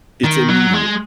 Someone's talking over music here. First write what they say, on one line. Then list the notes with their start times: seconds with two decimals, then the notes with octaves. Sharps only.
It's immediate.
0.24 D#3
0.49 F#3
0.73 G#3